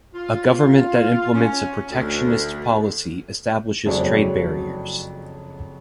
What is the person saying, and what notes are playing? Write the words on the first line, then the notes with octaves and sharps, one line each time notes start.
A government that implements a protectionist policy establishes trade barriers.
F4
C#4
D2
F#1 F2 F#3 G#3 C#5 D5